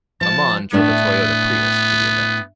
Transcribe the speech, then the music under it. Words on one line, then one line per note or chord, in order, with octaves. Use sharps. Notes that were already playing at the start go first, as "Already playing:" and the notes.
Amon drove a Toyota Prius for the event.
F3 A5
A2 A3 B3 D4